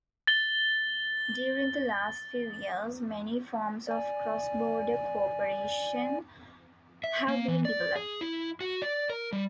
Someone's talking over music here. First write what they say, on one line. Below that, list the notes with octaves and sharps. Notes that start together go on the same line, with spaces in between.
During the last few years, many forms of cross-border co-operation have been developed.
A6 G7
D5 G#5
E5
A#3
E3
D5
G#4
E4
F#4
D5
A#4
G3